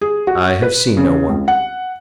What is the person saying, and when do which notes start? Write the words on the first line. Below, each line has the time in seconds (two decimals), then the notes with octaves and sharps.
"I have seen no one."
0.01 G#4
0.27 F#4
0.62 B4
0.97 C#3
1.29 C#2
1.48 F#5